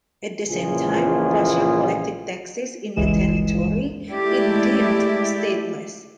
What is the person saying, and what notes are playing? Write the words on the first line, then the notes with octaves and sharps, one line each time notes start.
At the same time Russia collected taxes in the territory it deemed state-less.
A#1 A#2 C#3 E3 F4 G#4
G1 C#2 E3 G#3 E7
G#3 A3 E4 G4 D5